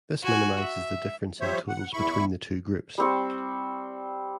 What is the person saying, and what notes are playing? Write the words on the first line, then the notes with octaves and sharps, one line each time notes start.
This minimizes the difference in totals between the two groups.
F#4 G#5
E5
F3 G3 C5 C#5 E5
F#5
E2 E4 B5 C#6
G3 C4 C#6